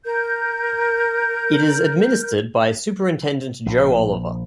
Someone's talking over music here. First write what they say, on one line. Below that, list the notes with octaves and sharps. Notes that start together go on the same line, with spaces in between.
It is administered by Superintendent Joe Oliver.
A#4 G6
A#1